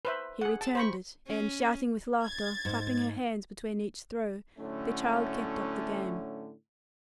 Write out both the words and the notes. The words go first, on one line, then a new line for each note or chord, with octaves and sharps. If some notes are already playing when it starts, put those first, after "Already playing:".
He returned it, and, shouting with laughter, clapping her hands between each throw, the child kept up the game.
B4 C5 E5
G#4 F#5
A5
C5 B5 C#6
C#4
G#6 A6
G#2
A2 D3 F#3 A3 C#4